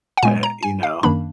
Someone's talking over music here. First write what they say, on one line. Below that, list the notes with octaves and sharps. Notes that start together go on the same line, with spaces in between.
eh, you know.
F#5
A#2 G#3 B3 G#5
A#5
G#5
F5
F#2 D#3 A#3 D4 B5